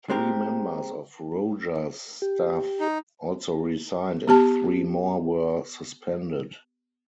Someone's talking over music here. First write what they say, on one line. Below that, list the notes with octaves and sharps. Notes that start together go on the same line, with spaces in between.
Three members of Rojas' staff also resigned and three more were suspended.
G#3 C4 G4 A#4
G4
D#4
B3 G4 A5